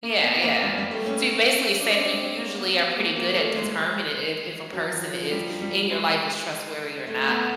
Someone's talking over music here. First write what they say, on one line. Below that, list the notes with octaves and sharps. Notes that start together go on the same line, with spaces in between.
Yeah, yeah. So, you're basically saying you usually are pretty good at determining if if a person is in your life is trustworthy or not.
A#3
B3
A#3
G3
G3
A3
C#4
D4
C4
C4
A#3
B3
C4
A#3
A#3
A3
G#3
F#3
F3
F3
G3
G3
G#3
A3
B3